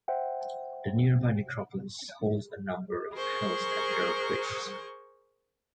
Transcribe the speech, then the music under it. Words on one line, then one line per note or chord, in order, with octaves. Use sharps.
The nearby necropolis holds a number of Hallstatt era graves.
C5 E5 F#5 G5
G#4 A#4 C5 C#6